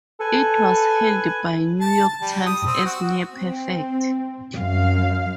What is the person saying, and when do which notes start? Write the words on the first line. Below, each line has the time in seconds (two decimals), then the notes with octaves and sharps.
It was hailed by "The New York Times" as "near perfect".
0.20 A4 B4 G#5
1.81 A5
2.08 A5
2.21 G3
2.46 D#6
2.67 C4
2.85 F#4
3.29 C4
4.55 F#2 F5